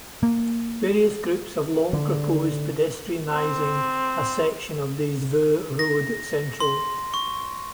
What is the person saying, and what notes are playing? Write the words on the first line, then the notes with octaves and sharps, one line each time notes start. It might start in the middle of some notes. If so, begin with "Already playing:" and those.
Various groups have long proposed pedestrianising a section of Des Voeux Road Central.
A#3
D3
C4
A#6
C6
C#6